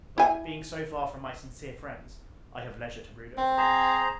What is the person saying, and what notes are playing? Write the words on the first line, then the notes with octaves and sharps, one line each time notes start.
But, being so far from my sincere friends, I have leisure to brood over them.
E4 G#5
C4
G#4 C5 A#5